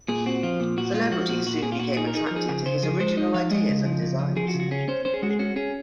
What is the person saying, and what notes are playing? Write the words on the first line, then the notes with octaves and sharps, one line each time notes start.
Celebrities soon became attracted to his original ideas and designs.
A#2 G#4
C4 F#4
F3 F4
A#2
A#2 F#4
G#3 F4
F3 F#4
A#2 F#4
A#2 F#4
A#2 G#4
F4
A#2 F#4
D#4 G#4
A#4
D#4 G#4
A#4
F3
G#4
C#3
C#3 C5
F3 G#4
G#3 C5
D#4 D#5
F3 F5
G#3 D#5
C#3
F3
C#3
F3
F3 G#4
F#4
C#3
F#4
C#4 G#4
C#4 C5
C#4 C5
G#4
G#3 F#4
G#4
C#4 F#4
C#4 G#4